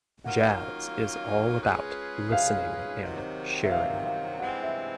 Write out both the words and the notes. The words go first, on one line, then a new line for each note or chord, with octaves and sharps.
Jazz is all about listening and sharing.
D#3 F#3 A#3 C#4 F4 F#5
G#3 C#4 F4 G#4 B4
F5
C3 D#3 F#3
E5
F5
F5
G2 E3 G#3 C4 F#5
E5